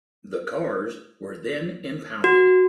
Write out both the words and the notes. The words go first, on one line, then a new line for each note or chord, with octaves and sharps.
The cars were then impounded.
F#4